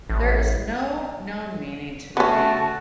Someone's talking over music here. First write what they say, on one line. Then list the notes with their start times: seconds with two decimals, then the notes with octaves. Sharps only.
There is no known meaning to the name.
0.09 A1
2.17 A3 B3 C#4 F#4 A5